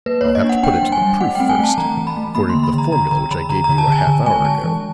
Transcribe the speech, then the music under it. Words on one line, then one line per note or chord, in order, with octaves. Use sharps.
I'll have to put it to the proof first, according to the formula which I gave you a half hour ago.
A#3 B4
C#5
A#3
D#5
D4
F#5
D4 G5
G3
G#5
G3
A3 F#5
G5
C4
G#5
A3 A5
E3 A#5
E3
B5
A3
A#3 B5
C6
D3
B5
D3 A#5
D3 A#5
D3 A#5
D3 B5
D3 A#5
A#5
D3
A5
D3 G#5
D3
G#3 G#5
G#3 A5
E3